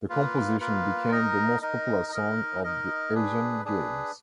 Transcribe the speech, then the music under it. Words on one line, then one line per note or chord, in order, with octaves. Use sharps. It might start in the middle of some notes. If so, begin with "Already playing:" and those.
The composition became the most popular song of the Asian Games.
A#3 F4 B4
A#3 F4 B4
D#4 A#4 D#5
D#4 A#4 D#5
D#4 A#4 D#5
D#4 A#4 D#5
D4 G#4 B4
D4 G#4 B4